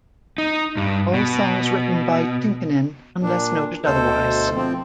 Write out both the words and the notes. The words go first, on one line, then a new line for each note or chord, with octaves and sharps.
All songs written by Tynkkynen unless noted otherwise.
D#4
G2
B2
A#2 D4
D2 B2 A4 C5
F3 C4